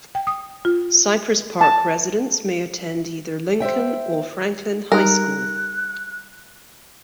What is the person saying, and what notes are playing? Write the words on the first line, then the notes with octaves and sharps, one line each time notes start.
Cypress Park residents may attend either Lincoln or Franklin high school.
G5
D#6
F4
A5
C5 D#5 E5 G5
G3 D#4 G4 A#4 F#6